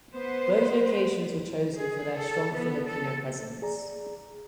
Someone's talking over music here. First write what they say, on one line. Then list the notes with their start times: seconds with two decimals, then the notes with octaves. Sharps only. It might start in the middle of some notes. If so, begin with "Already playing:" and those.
Both locations were chosen for their strong Filipino presence.
0.15 B3 B4 C5
1.77 G#4
2.17 A4
2.55 B3
2.87 A4
3.62 G#4 D5 A#5